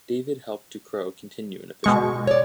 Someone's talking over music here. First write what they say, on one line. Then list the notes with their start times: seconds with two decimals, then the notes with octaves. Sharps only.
David helped Ducreux continue an official career.
1.84 B2 G#3 C#6
2.27 C#5 D5